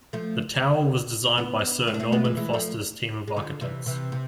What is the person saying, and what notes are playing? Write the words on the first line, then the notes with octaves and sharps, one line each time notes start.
The tower was designed by Sir Norman Foster's team of architects.
F3 A3
B3 D4
A3 C4
D4
A3 C4
G#3 B3
E3 G#3
E3 G#3
F3 A3
G#3
D3 F3
C3 E3
C3 E3
C3